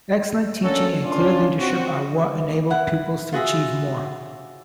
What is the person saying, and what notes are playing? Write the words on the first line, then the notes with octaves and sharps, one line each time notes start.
Excellent teaching and clear leadership are what enable pupils to achieve more.
A#3 C#4 D4 F#4 A4
C#4 D4 F4
C4 F#4
E4 F#5
F4 F#4 G#4 E5